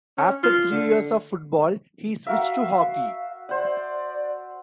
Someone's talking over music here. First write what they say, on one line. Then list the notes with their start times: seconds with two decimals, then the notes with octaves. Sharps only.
After three years of football he switched to hockey.
0.18 C#4
0.43 F4
0.71 D3
2.27 F#4 A#4 E5 F5
3.49 C5 D5 F#5